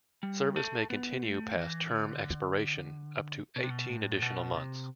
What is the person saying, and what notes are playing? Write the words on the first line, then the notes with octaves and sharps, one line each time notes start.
Service may continue past term expiration up to eighteen additional months.
G3
A3
B3
A3
E3
D3
B2
C3
B2
A2
B2
C3